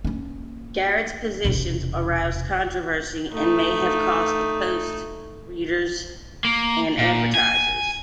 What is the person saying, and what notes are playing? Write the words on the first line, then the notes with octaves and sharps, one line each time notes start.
Garrett's positions aroused controversy and may have cost the "Post" readers and advertisers.
A#3 C#4
E1 C3
A3 D#4
A#3
A#2
G#5